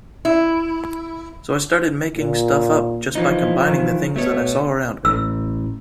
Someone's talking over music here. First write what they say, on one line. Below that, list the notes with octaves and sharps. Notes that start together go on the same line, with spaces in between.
So I started making stuff up just by combining the things that I saw around me.
E4
A#2
E3 F3 D#4
D#3 E3
B2 A3 C#5
A1 E6